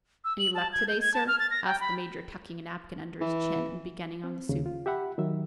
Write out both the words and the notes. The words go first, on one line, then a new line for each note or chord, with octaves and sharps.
"Any luck today, sir," asked the Major, tucking a napkin under his chin and beginning on the soup.
E6
F#7
A5
G#6
G6
G#6
A5
F6
A6
A#6
G5
B5
E3
C4
D#2 C#3
F4
G4 E5 F#5 B5
D#3 F#3 E5